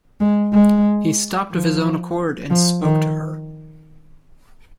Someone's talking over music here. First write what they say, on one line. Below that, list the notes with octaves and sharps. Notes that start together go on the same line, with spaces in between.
He stopped of his own accord and spoke to her.
G#3
G#3
F3
F3
D#3